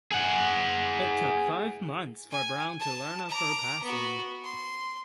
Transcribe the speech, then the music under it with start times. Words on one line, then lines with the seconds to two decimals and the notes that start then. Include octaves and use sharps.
It took five months for Brown to learn of her passing.
0.12 G#4 F#5
2.31 G#5
2.80 A5
3.29 A#5 D6
3.83 B3 F#4
4.44 C6